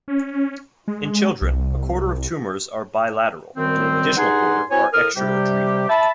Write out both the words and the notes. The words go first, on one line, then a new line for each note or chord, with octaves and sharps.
In children, a quarter of tumors are bilateral, and an additional quarter are extra-adrenal.
C#4
G#3
C2
F#2 D#3 G3 C4
G2 D#4 G#4 F#5 G#5 C6
C4 E4 F#4 C#5 G#5
A2 A#4 D#6 F6
C3 G3 G4
E5 A5 B5